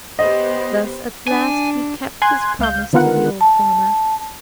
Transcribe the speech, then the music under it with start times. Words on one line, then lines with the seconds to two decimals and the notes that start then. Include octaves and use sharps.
Thus at last he kept his promise to the old farmer.
0.19 B3 G4 C5 D#5
1.28 D4 G#5
2.22 G#5 C6 F#6 G#6
2.59 C#2 F5 G6
2.93 D3 D#3 B3 F4 A#4 F#5
3.41 A5